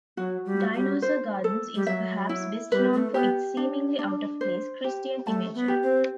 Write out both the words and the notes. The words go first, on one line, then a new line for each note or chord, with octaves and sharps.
Dinosaur Gardens is perhaps best known for its seemingly out-of-place Christian imagery.
F#3 F#4
G3
F#4
G3
C5
A4
G3
F#3 E5
E4
G3 B4
A3
B3 G4
D4
D4
C5
G4
A3 A5
B3
G4
C4